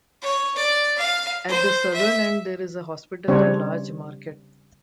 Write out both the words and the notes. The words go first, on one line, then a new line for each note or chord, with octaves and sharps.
At the southern end there is a hospital and large market.
C#5
D5
F5
C5
E5
C#3 G3 C4 D4 C#5